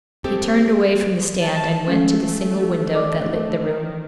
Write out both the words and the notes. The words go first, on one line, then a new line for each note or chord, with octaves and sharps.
He turned away from the stand and went to the single window that lit the room.
G#3 A3 C4 G4 A4
A5
F3 G#3 A3 C#4
D5 D#5 D6
D#3